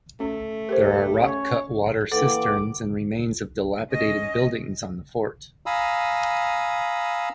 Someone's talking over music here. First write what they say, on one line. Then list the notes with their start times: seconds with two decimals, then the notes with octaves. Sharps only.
There are rock cut water cisterns and remains of dilapidated buildings on the fort.
0.20 A3 C#4
0.69 G4 A#4 C5
1.20 C#4 C#5
2.12 E3 A#3 A4 B4 F#5 G5 D6
3.91 C#4 D#5
5.66 F5 G#5 A#5 B5 D#6 E6